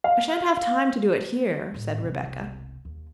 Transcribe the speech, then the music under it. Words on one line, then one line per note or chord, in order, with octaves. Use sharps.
"I shan't have time to do it here," said Rebecca.
F5
E2 A2
E1 C2
D#2